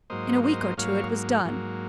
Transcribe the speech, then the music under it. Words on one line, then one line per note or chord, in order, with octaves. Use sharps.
In a week or two it was done.
G#2 F#3 A#3 C5 D#5
C5 D#5
G#2 F#3 A#3 C#5 F5
G#2 F#3 A#3